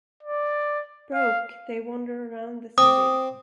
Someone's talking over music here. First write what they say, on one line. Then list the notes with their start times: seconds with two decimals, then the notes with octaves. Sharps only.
Broke, they wander around the city.
0.23 D5
1.14 F5
2.78 C4 D6 D#6